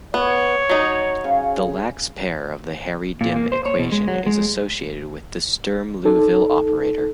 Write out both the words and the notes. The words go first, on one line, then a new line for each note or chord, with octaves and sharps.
The Lax pair of the Harry Dym equation is associated with the Sturm-Liouville operator.
B3 C#5
F#3 D#4
C#3
A#2
A#3
C5
C#5
B2
G#3
F#3
G#3
D#4 A4